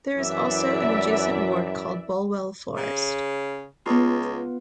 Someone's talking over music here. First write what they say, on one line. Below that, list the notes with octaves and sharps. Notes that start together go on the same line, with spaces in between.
There is also an adjacent ward called Bulwell Forest.
F#2 E3 D5 E5
C#3
C#2 B3 F4